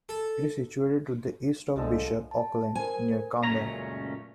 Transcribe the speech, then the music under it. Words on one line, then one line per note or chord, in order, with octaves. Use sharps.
It is situated to the east of Bishop Auckland, near Coundon.
A4
C2 D3 F3 G#3 A4
A5
A#4 C5 G#5
C#2 F#2 A#2 A3 C#4 A#5